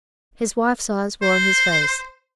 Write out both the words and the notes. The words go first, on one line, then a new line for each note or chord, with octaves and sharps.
His wife's eyes were on his face.
C5